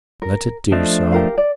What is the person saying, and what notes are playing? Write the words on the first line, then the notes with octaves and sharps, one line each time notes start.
"Let it do so."
A#4
F3 A3 D4 D#5
G4 A#4 F5
D5